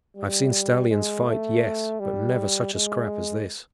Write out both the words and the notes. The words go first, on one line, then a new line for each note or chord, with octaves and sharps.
I've seen stallions fight, yes, but never such a scrap as this.
G3
G#3
A3
G3
G#3